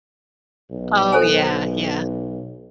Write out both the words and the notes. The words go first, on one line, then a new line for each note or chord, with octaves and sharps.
Oh, yeah, yeah.
B1
A4 C5 G#5